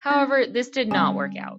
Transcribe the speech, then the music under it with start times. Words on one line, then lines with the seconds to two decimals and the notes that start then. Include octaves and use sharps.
However, this did not work out.
0.10 C#4 D4
0.91 D3 G3 C4 C#4 G#5